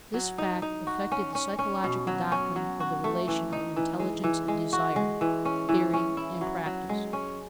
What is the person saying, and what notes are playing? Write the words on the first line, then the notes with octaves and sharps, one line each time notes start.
This fact affected the psychological doctrine of the relation of intelligence and desire, theory and practice.
F#3
D#4
D#4
F#4
C#4
C#4
C#4
B2
F#3
C#4
F#3
F#4
A3
E3
D#4
E3
G#3
E3
G#3
F#4
G#3
E3
C#4
E3
C#4
E4
F#3
F#3
G#3
C#4